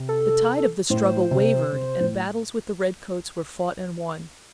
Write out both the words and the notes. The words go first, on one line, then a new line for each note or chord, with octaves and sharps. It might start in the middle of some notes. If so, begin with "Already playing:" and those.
The tide of the struggle wavered and battles with the red coats were fought and won.
Already playing: C3
A4
A2 C5
C3
C3
A2